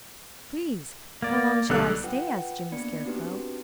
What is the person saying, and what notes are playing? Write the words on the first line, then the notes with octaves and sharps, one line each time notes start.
"Please, how long shall I stay?" asked Jimmy Scarecrow.
A#3 D5
B1 D3 G3 A4 F#6
F4 B4 F#5 G5
A#3 B3 D4 D5 B5 C#7
C4 D4 D#4 F#4 G4 B4